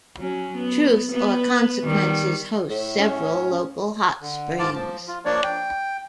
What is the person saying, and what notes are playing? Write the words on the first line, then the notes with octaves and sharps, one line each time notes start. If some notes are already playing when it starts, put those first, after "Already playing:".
Truth or Consequences hosts several local hot springs.
F#3 C#4
B3
B3 B4
D#3 G3
A2
C#4
D3
G#2 F3 F4 A5 D6
F3
F4
F3 A#3 D4 C#5 D5
G5